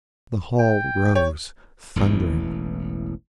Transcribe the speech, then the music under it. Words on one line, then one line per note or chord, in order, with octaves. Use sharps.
The hall rose, thundering.
G5
C#5 G5
E1 A1 E2 E3